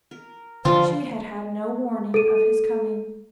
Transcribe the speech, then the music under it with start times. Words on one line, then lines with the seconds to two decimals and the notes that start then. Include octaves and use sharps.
She had had no warning of his coming.
0.11 A#4
0.65 D3 E3 F3 G3 F4 C5
2.14 A4 D#7